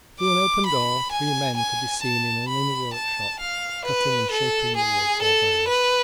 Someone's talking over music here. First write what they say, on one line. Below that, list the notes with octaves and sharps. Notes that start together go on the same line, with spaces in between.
Through an open door three men could be seen in an inner workshop cutting and shaping the wood for bows.
D6
B5
G#5
G#5
A5
B5
A5
F5
B4
A4
G#4
A4
B4